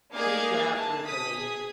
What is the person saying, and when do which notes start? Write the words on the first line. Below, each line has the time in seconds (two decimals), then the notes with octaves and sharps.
He laughed ruefully.
0.13 A#3 D#4 G#4 D5 F5 G#5
0.73 A5
1.04 D#6 B6
1.36 G#4